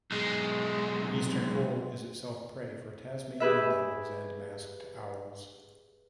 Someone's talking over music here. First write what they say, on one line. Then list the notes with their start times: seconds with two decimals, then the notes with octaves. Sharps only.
The eastern quoll is itself prey for Tasmanian devils and masked owls.
0.11 B1 G#3
3.40 G4 G#4 B4 E5